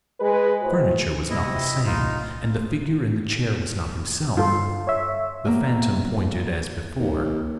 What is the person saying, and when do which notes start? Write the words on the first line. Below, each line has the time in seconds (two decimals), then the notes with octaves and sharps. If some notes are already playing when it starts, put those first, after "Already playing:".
The furniture was not the same, and the figure in the chair was not himself. The Phantom pointed as before.
0.20 G#3 B4
0.61 A2 F#4 C5
1.30 C3 E4 D#5
1.86 B1 A2 D#4 F4
4.37 G2 F4 A4
4.87 C#5 E5
5.45 E2 A#3 A#5
6.99 D#2